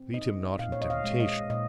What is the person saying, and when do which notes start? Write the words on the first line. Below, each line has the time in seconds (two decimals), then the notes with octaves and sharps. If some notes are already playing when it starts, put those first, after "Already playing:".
Lead him not into temptation.
Already playing: C4
0.14 D#4 D#5
0.59 A#2 F5
0.72 C#5
0.81 D#5
0.90 F5
1.04 G#3
1.20 D#5
1.50 A#2 D#5